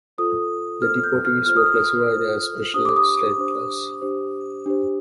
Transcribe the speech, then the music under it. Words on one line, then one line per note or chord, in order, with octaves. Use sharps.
The deportees were classified as "special settlers".
F4 A4 C5 D#6
F4 A4 C5 F6
G6
F6
F4 A4 C5 F6
D#6
F6
F4 A4 C5
D4 G4 C5 D#6
D6
D#6
D4 G4 C5
D4 G4 C5
D4 G4 C5